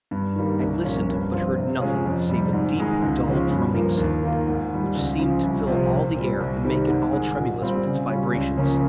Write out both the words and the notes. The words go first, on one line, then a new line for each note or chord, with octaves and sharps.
I listened, but heard nothing save a deep, dull, droning sound, which seemed to fill all the air and make it all tremulous with its vibrations.
G2
D#3 G3 A#3
C2
A#2 F3 A#3 C#4
G2
F3 C4 F4
C3
F3 G#3 C#4 F4
F2
C3 G3
G#2
D#3 G#3 D#4
C#2
C#3 F3 G#3 C#4
G2
F3 A#3
D#2
D#3 A#3 F4
G#2
D#3 G3
C#2
C#3 F3
C2
C3 F3
A#2
G3 C4
C2
C3 D#3 G3
G#2
D#3 G#3
A#2
G3 C4 F4
C#3
G3 C#4 F4
C#2
C#3 F3 A#3 C#4